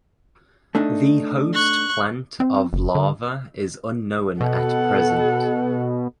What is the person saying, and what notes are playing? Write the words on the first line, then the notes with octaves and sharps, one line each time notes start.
The host plant of larva is unknown at present.
A3 D4 D#4
C#6 F#6
C4
F#1
D3
B2 A4 F#5